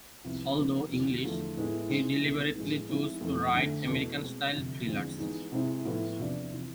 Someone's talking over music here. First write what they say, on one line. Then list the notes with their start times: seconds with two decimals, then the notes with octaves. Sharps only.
Although English, he deliberately chose to write American-style thrillers.
0.24 C2 C3 F3 B3
0.57 G#2 F3 B3
0.90 E2 D3 F3
1.24 E2 D3 F3 A3
1.57 A2 G#3 B3 E4
1.90 G#2 G#3 C4 E4
2.22 C2 B2 B3
2.55 A2 F3 G#3 B3 E4
2.89 G#2 F3 G#3 C4 E4
3.21 F2 E3 A3
3.55 D2 D3 A3
3.87 E2 B2 A3
4.21 B2 G#3 C4
4.53 D2 C3 F3
4.87 E2 D3 F3 G#3 C4
5.19 G#2 E3 G#3 B3
5.52 C3 G#3 C4 E4
5.85 A2 F3 B3 E4
6.18 E2 C3 F3 B3 D4
6.53 C3 E3